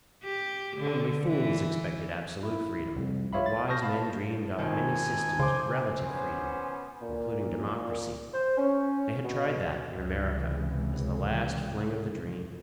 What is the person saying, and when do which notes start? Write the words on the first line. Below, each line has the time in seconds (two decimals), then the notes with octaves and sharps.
Only fools expected absolute freedom, but wise men dreamed up many systems of relative freedom, including democracy. They had tried that in America, as the last fling of the dream.
0.23 G4
0.76 D3
1.27 E3
2.43 E4
2.96 C2 F2
3.33 F4 C#5 E5 F5 B5
3.46 A6
3.67 A5 C#6 D#6 F6 G6 A#6
3.82 F5 A5 B5
4.59 G#1 F2 D#3 D#4 G#5
5.40 C#3 C5 C6 D6
6.04 B3 C#4 C5 G#5
7.01 A#2
8.34 C5
8.58 C#4
9.24 B2
9.94 C#2 C3 E3 G#3